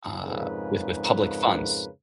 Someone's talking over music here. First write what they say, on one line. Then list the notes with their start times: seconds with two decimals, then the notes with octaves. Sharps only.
uh, with with public funds.
0.25 F2 G#2 C#3 A#4 B4